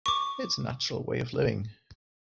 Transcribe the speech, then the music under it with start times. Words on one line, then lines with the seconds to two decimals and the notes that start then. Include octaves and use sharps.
It's a natural way of living.
0.06 C#6 D6